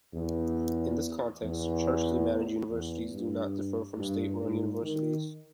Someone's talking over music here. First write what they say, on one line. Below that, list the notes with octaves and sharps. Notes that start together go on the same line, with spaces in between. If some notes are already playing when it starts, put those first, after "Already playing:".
In this context, churchly managed universities do not differ from state-run universities.
E2
E2
E2
G2
G2
G#2
D#3